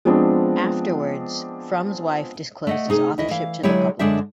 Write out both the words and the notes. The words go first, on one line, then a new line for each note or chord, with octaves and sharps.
Afterwards, Frum's wife disclosed his authorship to the public.
F3 G#3 B3 C4 D4
A3 D#5 F#5
C3 D#4 G#4
D2 E4 D#5
E3 F5
D3 F#3 G#3 E4 G4 C#5
F#2 D3 G#3 D4 C5 E5